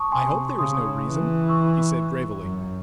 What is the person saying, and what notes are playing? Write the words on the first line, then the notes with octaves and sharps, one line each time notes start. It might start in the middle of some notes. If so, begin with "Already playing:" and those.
"I hope there is no reason," he said gravely.
Already playing: A5 C6 C#6 D#6
C3 G#5 C6
C#3 C6 D#6
E3
C#6 E6
F#2